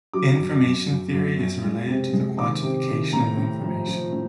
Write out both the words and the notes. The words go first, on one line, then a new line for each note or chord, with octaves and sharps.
Information theory is related to the quantification of information.
F#3 D6
F#2
F#2
F#2
F#2
F#2
G#3
C3
G#3
D#3 D6
C3
D#3
A2 A#5
A2
F3
F3
A2